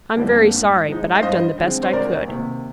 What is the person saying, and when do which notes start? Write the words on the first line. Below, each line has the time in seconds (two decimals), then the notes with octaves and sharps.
"I'm very sorry; but I've done the best I could."
0.17 F2 D3 G3 A#3
0.52 G#2
0.88 F3 G#3 D#4
1.15 F5
1.22 G2 C5 D#5
1.58 D3 F3 G#3 C4
1.83 C5
1.93 D2 A#4 D5
2.28 C3 D#3 A#3 D#4